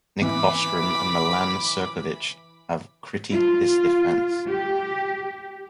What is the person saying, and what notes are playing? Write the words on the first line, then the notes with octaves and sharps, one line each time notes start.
Nick Bostrom and Milan Cirkovic have critiqued this defense.
E3 B5 D6
F4
G4